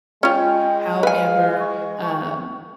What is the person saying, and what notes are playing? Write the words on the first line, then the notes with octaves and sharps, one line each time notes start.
However, um,
G#3 C#4 F4 G5
B4 F5 G#5
C#6